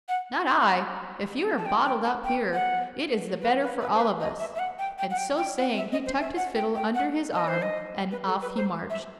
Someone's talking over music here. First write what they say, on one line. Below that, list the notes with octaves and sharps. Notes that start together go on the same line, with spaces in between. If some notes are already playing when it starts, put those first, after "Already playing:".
"Not I; if you are bottled up here it is the better for all of us;" and, so saying, he tucked his fiddle under his arm and off he marched.
F#5
A5
G5
G5
A5
G5
F#5
B4
B4
B4
C5
B4
D#5
E5
E5
F#5
G5
G5
F#5
G5
G5
F#5
E5
D#5
C5
E5
F#5
G5
G5
F#5
D#5
C5
D#5
B4
A4
B4
C5
E5